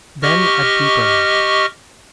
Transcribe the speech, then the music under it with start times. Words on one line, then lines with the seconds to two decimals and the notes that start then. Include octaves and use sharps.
Then a deeper matter.
0.22 G4 D#5 C#6 F6